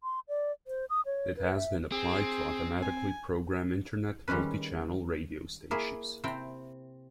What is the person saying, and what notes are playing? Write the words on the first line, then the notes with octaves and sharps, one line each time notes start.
It has been applied to automatically program Internet multi-channel radio stations.
C6
D5
C5
D#6
C#5
B4
E5
C4 G#4
G#5
D#3 G3 G#3 C#4 B4
A#3 E4 G#4
C3 C4 E4 G5